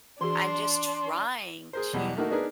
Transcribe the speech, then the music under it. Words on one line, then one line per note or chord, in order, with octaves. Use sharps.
I'm just trying to,
E3 D4 F#4 G#4 C6
G#4 A#4 C5
E2 B2 F#3 G3
A3 A#3 D#4 F#4 A#4
B3 D4 D#4 G#4 A#4 B4